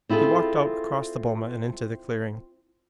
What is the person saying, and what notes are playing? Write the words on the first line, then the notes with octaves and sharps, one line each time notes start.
He walked out across the boma and into the clearing.
C4 E4 F4 G#4 A4